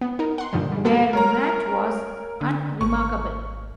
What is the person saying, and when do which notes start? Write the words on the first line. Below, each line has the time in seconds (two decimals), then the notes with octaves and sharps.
Their match was unremarkable.
0.01 B3
0.19 D#4 A#4
0.38 F#5 C6
0.53 G2 A#2 D3 D#3 F3 G3
0.72 G3 G#3
0.85 B3 F#4 A4 A5 B5
1.13 A#4 C#5 A#5
2.41 D3
2.81 G#1 C#6